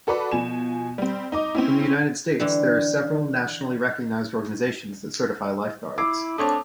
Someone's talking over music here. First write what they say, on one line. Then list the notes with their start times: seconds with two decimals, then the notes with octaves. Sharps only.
In the United States there are several nationally recognized organizations that certify lifeguards.
0.07 F#4 A4 B4 D5 B5
0.31 B2 F3 G#5 E7
0.98 G3 C4
1.32 D#4 D#5 D6
1.55 C4 C#4 E4
2.40 D3 E3 G3
5.98 E4 D6 E6 G#6 C7
6.38 A3 C4 D4 C#5 A5 D#6